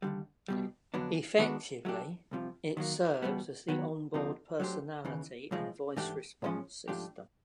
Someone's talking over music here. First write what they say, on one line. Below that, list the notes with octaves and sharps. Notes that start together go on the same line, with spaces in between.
Effectively, it serves as the on-board personality and voice response system.
D#2 D3 G3
C2 B2 G3
F2 D3 F#3 B3 D4
D#3 G#3 B3 D4 F#4
F#3 A3 D4 G4
C2 C3 F3
D#3 F#3 A#3
E2 B2 G3 B3
D#3 F#3 B3
D2 C3 F3 A#3 D#4
F#3 A3 D4 G4 C5
D#2 C#3 E3
B1 A2 F3 G#3
G#2 E3 A3 D4 G4
A2 F3 G#3 C#4
G#2 F3 A3 D4 G4